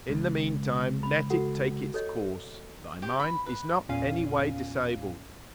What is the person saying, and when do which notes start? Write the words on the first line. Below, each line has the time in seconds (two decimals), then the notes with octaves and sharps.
In the mean time, let it take its course, thy mind is not any way disabled.
0.10 C#2
1.03 B5
1.30 F#4 A4 F#5
1.94 A4 C#5 D#5
3.02 G4
3.20 B5
3.46 B4
3.89 E2 A#2 C#4 F5 D#7